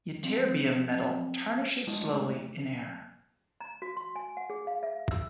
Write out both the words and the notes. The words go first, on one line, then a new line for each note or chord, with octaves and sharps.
Ytterbium metal tarnishes slowly in air.
F3 C4
A2 G#3 D4 F4
A#5
F#4
C6
G#5
F#5
G#4
F5
E5
E6